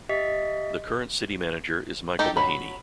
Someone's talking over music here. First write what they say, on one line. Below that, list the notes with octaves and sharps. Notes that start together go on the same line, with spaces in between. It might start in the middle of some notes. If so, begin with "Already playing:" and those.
The current City Manager is Michael Mahaney.
G4 D#5 E5 B6
D#4 G4 A4
F#3 B5